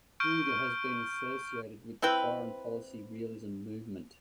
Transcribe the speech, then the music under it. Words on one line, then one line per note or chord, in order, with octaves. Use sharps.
Ruger has been associated with the foreign policy realism movement.
C#6 F6 G6 D7
C4 E4 B4 G5